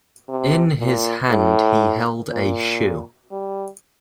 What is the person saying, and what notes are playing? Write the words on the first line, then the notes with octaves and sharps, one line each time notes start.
In his hand he held a shoe.
C3
A#2
A2
A#2
G3